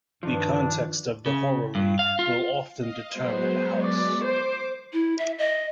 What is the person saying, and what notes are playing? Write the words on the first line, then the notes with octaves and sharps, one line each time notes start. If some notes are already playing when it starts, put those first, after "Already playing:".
The context of the horary will often determine the house.
G2 D#3 F3 D4
C#3
G2
F5
F4
D#5 F5
F#3 G#3 B3 C5
D5
C5 D6
E4
E5
D#5